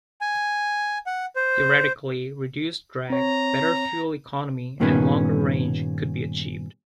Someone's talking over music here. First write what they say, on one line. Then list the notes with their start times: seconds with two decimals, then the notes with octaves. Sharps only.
Theoretically, reduced drag, better fuel economy and longer range could be achieved.
0.21 G#5
1.06 F#5
1.36 C5
3.10 C4 C#5 A#5
4.80 G2 A#2 D#3 G3 B3 C#4